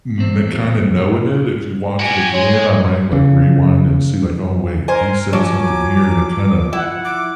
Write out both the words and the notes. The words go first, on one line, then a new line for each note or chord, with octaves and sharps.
mm, kinda, knowing it. If you watch it again, I might, like, rewind and see, like, oh, wait, he said something here to kinda
E2 C4
F#4 G4 G#5
G#3 C#5
C#3
A#4 C5 G#5
F3 F#3 G#5 D6
E4 F#5
D6